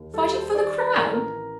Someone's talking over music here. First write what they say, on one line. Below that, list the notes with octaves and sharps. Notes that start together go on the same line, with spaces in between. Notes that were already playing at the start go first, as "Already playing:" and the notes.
'Fighting for the crown?'
Already playing: D#2
G3 A4
C5
D#3 D5
A1 A#4
A4
A#4